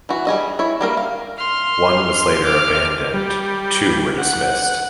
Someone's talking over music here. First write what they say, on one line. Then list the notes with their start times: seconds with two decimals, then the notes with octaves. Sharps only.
One was later abandoned, two were dismissed.
0.09 E3 F#4
0.27 G3 G#4 D#5
0.59 E4 C#5
0.81 G3 A#3 A#4
0.97 F5
1.38 C6 F6
2.45 D6 F6
3.14 G3
4.18 F#5